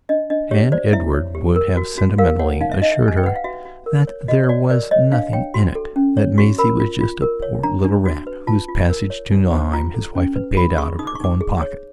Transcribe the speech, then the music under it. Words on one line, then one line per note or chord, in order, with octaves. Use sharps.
And Edward would have sentimentally assured her that there was nothing in it; that Maisie was just a poor little rat whose passage to Nauheim his wife had paid out of her own pocket.
D4 D#5
D4 D#5
G4 C#5
C5 D5
E4 E5
C#5
G4
A#4
F#4
F#4
A#4 F5
C#5 F#5
D#4 F5
E5
D#4 D#5
E5
G4
G#5
G5
B4 F#5
F5
F#4 E5
F#4
A#4
C#5
F#4 D#5
C#5
F#4 D5
A#4 D5
C#5 D#5
D4 F5
C#5 G5
F#4 C6
A4
C#4
C#5
F#4 C#6
A#4 B5
F4
F4
A#4
C#5
D4 A#5
D4
F#4
B4
F4 A5
F4
A#4
C#5
D4
C5
F4 A#5
A4
C#4
B4
F4 B5
G#4 C#6
D#4 D#6
D6
C#6
D#4 D6
G#4
C#5